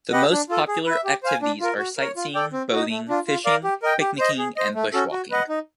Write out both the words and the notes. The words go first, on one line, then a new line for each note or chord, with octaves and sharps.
The most popular activities are sightseeing, boating, fishing, picnicking and bushwalking.
G4 B4 D#5 F#5
D4
F4 A4
G#4
B4 E5
G4
C5 F5 G#5
D4
F4 A#4
F#4
A#4 C#5
F4
A4 D5 G5
C4
D#4 F#4
A3
D4 F4
F4
A#4 D5 F5
G4
A#4 D#5 G5
G4
C5 D#5
G#4
C5 D#5
A3
C#4 F#4 A4
F#4
B4 D#5 F#5
D#4